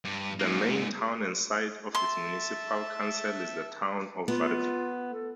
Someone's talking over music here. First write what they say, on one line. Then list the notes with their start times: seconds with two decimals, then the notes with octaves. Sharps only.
The main town and site of its municipal council is the town of Varde.
0.05 G2
0.40 G#2 A#3
1.95 E5 A5 C6
4.28 B3 F4
5.10 A4